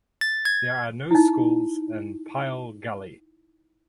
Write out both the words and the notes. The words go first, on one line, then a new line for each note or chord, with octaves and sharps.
There are no schools in Pile Gully.
A6
G#6
D#4 E4